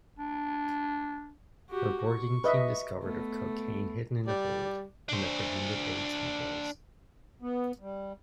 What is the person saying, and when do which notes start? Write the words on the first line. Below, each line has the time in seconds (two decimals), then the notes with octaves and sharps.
Her boarding team discovered of cocaine hidden in the hold, and apprehended eight smugglers.
0.19 D4
1.70 F#4 G4
2.07 C#6
2.44 B4 D#5 E5
3.04 A3 B3
4.26 G3 D5
5.09 D4 C5
7.42 B3
7.81 G3